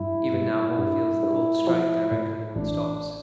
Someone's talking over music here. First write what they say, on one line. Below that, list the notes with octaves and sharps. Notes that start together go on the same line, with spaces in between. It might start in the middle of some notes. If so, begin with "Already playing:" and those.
Even now one feels the cold strike directly one stops.
Already playing: G2 E4
G2
G2
G2
F3
A2
A1 D4